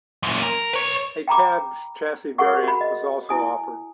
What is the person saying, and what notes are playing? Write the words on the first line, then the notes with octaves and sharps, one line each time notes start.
A cab chassis variant was also offered.
F#2 A#2
A#4
B4 C#5
G5 A#5 B5 D6
F#4 G#4 A#4 F#5 C#6
F#4 B5
D#5
E4 G#5 D#6